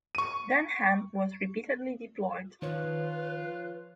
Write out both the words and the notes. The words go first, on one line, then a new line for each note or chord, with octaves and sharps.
Den Ham was repeatedly deployed.
C#6 D#7
D#3 F3 F4 B4 C#5